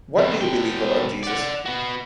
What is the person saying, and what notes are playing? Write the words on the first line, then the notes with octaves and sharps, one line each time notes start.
What do you believe about Jesus?
F2 B2
B2 G5
D5 F#5
B3 F#4